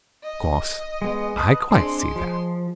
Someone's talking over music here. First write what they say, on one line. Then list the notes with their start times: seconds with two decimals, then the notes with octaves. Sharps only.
Of course I quite see that.
0.23 D#5
1.02 G#3 B3
1.37 B4 A5 D#6
1.71 G#3 C4 D4 D5 C6
2.16 F3